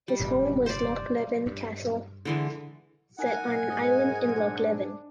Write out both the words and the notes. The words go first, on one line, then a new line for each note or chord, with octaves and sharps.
His home was Lochleven Castle set on an island in Loch Leven.
G3
F1 G2 A#2
C5 D5
G2
D3 E3 G#3
D#4 A#4 F#5 G#5
G#2 D#5
D4